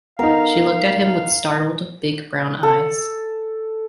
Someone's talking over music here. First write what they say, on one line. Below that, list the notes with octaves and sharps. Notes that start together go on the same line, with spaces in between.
She looked at him with startled, big brown eyes.
B3 D#4 A#4 F5
A4